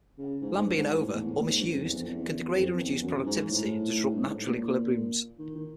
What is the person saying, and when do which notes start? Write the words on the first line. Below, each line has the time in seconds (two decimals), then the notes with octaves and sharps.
Land being over- or misused can degrade and reduce productivity and dissrupt natural equilibriums.
0.18 C#3
0.42 G#2
0.57 G#2
0.66 G2
0.78 G#2
0.89 G#2
1.01 A2
1.13 E2
1.25 A2
1.36 A#2
1.49 G#2
1.60 G2
1.72 F2
1.84 E2
1.96 F2
2.08 E2
2.55 F2
2.79 E2
3.02 F#2
3.26 G#2
3.50 A2
4.13 G2
4.23 G#2
4.34 A2
4.45 A#2
5.39 D#3
5.55 D#3